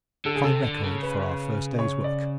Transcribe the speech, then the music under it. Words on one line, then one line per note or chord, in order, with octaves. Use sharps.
A fine record for our first day's work.
D3 A4
G#4
C3 A4
D3
C#3
B4
C#5
D5